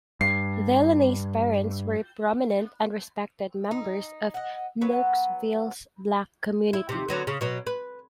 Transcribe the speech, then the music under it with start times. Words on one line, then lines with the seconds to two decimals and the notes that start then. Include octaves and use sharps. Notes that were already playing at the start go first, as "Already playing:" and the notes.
Delaney's parents were prominent and respected members of Knoxville's black community.
0.21 G2 C7
3.71 D#4
4.34 D#5 F#5
4.81 F#3 B3 B4
6.73 E4
6.89 D#2 C3
7.09 D3 F#3 B3
7.27 C#3
7.41 B2 F#3
7.67 B4